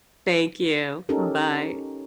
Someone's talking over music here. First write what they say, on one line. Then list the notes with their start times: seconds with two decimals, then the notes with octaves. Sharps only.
Thank you, bye.
1.09 C#4 D#4 G4 A4 A#4